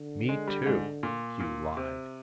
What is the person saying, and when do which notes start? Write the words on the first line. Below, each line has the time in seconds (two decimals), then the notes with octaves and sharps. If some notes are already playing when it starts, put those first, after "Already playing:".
"Me, too," Hugh lied.
Already playing: D3
0.29 G#3
0.47 G3
0.66 G#2
1.03 A#2
1.40 A#2
1.77 C3